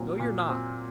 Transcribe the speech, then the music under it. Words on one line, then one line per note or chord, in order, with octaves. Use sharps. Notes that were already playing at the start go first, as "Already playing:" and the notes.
"No, you're not."
Already playing: A#2 F#3 C4
A#2
C4